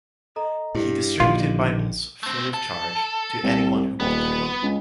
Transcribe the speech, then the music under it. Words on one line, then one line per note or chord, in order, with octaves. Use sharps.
He distributed Bibles, free of charge, to anyone who wanted one.
A4 D#5 A#5
G2 E4 G4
A#1 D3 D#3 F4
A3 C4
A4
C2
D#1 B3
C#2